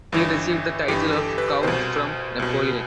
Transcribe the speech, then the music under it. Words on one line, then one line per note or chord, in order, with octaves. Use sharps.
He received the title of Count from Napoleon.
G1 G2 E3
G1 G2 E3 G4
A4
B4
C2 B2 C5
C2 B2